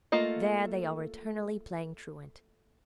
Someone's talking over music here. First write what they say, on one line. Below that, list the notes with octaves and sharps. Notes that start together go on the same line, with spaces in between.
There they are eternally playing truant.
A3 A#3 F4 D#5